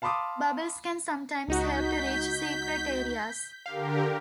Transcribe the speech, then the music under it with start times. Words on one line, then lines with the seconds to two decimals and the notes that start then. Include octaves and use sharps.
Bubbles can sometimes help to reach secret areas.
0.02 F5 A5 B5 C6 D6 D#6
1.48 C#2 D#4 F#4 G6 B6
3.66 D3 G4 A#4 F5